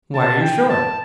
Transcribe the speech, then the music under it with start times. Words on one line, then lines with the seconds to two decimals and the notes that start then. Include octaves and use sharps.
"Why are you sure?"
0.14 A5
0.42 G5
0.70 A5